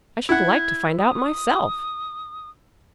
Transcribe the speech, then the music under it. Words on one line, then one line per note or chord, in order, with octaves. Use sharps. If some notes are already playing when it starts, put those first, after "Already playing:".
"I should like to find out myself."
E4 F#5 G#6
D#6